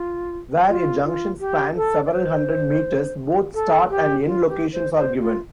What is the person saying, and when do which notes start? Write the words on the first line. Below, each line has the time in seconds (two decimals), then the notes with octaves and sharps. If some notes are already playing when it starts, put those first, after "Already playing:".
Where a junction spans several hundred metres, both start and end locations are given.
Already playing: F4
0.69 F4
1.04 F4
1.40 G4
1.76 A4
2.06 D5
2.11 C5
3.54 A4
3.90 G4
4.26 F4
4.49 G4
4.73 C5
4.97 C5
5.20 F4